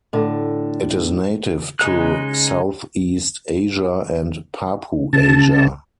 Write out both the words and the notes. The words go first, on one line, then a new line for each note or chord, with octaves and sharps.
It is native to Southeast Asia and Papuasia.
A2 D3
C#3 G#3 D#4 F#6
C#3 A5